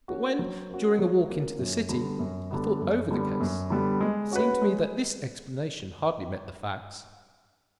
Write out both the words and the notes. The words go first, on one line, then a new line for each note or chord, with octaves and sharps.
But when, during a walk into the City, I thought over the case, it seemed to me that this explanation hardly met the facts.
A#3 C#4 F#4
F#3
A#3 C#4 F#4
F#3
A#3 C#4 F#4
F#2
D3 G3 B3
F#2
D3 G3 B3
F#2
D3 G3 B3
F#2
D3 G3 B3
G#3
C#4 F#4 B4
G#3